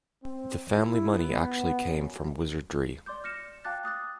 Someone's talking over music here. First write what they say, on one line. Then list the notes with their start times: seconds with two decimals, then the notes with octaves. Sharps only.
The family money actually came from wizardry.
0.22 C4
0.75 E4
1.11 B3
1.84 F#2
3.06 D5 C6 D6 G6
3.24 F6 A#6 C#7 E7
3.64 F5 G5 A5 D6 F#6 A6
3.84 D6 D#6 F#6 A6